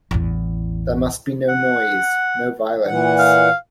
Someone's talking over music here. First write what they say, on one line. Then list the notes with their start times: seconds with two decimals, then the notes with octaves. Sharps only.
There must be no noise, no violence.
0.11 A1 E2
1.49 F#5
2.87 A#2 E3 F#5
3.19 F5